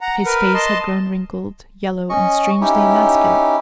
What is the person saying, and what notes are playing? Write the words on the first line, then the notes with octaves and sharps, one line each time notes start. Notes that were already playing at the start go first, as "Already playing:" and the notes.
His face had grown wrinkled, yellow, and strangely emasculate.
F#5 A#5
A#4 B4
D#5 A5 C6
C#4 D#5 C#6
C#4 D#4 E4 G4